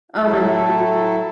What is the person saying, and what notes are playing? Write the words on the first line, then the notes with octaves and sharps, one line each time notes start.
Oh my goodness.
A2 F#3 A3 E4 A4